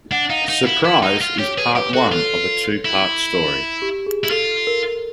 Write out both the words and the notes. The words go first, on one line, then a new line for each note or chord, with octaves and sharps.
"Surprise" is part one of a two part story.
D4 F#5
D#4 F5
D#4
E4
E4
D#4
F4
G4 C#5
G#4 B4
G4 B4
F#4 A4
F4 A4
E4
G4
G#4
E4
F4 A4
A#4